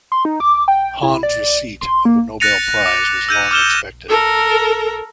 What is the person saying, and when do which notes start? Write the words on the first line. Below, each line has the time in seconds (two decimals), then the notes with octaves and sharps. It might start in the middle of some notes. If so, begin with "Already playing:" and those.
Hahn's receipt of a Nobel Prize was long expected.
0.12 C6
0.25 D#4
0.40 D6
0.68 G5
1.03 E4
1.23 D5
1.81 C6
2.05 A#3
2.40 F#6 A6 A#6 C#7 D#7 F7
2.86 D6
3.29 E6 G6 D#7
3.51 D6 F6 E7 G7
4.08 A4 A#4